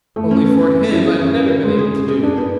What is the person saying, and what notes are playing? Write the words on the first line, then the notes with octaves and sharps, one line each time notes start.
Only for him, I'd never been able to do it.
A3
C#4
B3
B3
C#4
E4
G#4
C#4
B4
B4
G#3
G#4
C#4
G#4
D4
B3